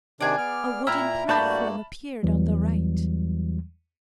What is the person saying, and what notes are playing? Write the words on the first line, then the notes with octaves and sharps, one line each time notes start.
A wooden platform appeared on the right.
C3 D#3 D4 G#4 D5
B3 F6
A#2 E4 G5 A#5 E6 F6
G2 A3 A#3 F#4 D5 A5 B5 G6
E2 E3 F#3 G3